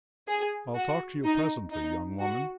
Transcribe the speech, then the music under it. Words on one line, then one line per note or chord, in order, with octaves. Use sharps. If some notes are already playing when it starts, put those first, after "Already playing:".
I'll talk to you presently, young woman.
G#4
F#4
D#4
D#4
F#4